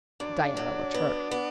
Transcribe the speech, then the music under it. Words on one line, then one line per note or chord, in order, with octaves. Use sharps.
Diana looked hurt.
F#2 D4
F#3
B3
B3